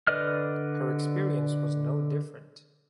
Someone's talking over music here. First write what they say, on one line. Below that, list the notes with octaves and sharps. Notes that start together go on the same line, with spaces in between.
Her experience was no different.
D3 B4 D5 D#5 F6